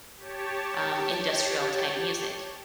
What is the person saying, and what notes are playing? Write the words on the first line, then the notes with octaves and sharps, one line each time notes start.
um, industrial type music.
G4 C#5 A5